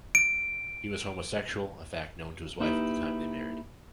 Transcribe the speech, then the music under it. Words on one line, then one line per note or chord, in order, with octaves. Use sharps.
He was homosexual, a fact known to his wife at the time they married.
D7
A#3 D#4 E4 G4 B4